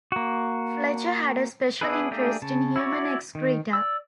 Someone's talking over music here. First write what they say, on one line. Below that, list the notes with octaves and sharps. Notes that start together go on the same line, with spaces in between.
Fletcher had a special interest in human excreta.
A#3 F#4
B3 D4 E4 G#4 B4
A3 A#3 D4 G4 G#4
C#3 A5
E4 F#4 C#5 D5
D#3
D5 E6